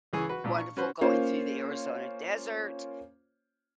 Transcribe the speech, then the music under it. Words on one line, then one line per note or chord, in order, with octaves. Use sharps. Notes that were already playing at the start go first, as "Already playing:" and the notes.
wonderful going through the Arizona Desert.
C#2 E3 G#4 G#5 C#6
F#4 B4
A#1 A#2
C#6
C#4 F#4 B4 C5
A#3 C#4 F4 C5 C#5